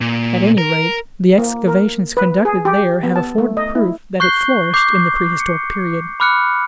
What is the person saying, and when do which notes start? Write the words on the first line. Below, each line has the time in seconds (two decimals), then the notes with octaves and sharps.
At any rate, the excavations conducted there have afforded proof that it flourished in the prehistoric period.
0.01 A#2
0.58 A#4
1.38 A#3
1.68 A#4
2.17 B4
2.45 G#4
2.65 G4
3.03 B3
3.16 A5
3.38 A3
3.57 D#5
3.75 E4
4.20 C#6 F#6 G6 C7 G7
4.74 D6 G6 C7
5.40 C#7
6.20 B5 D6 F6 F#6 C#7